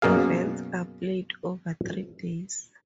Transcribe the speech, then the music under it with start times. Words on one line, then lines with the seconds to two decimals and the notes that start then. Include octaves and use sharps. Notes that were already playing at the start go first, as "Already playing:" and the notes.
Events are played over three days.
0.02 F#2 B2 A#3 G#4 F5